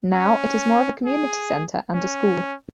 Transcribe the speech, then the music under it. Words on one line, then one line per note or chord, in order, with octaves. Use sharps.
Now, it is more of a community centre and a school.
C#4
G#4
C#4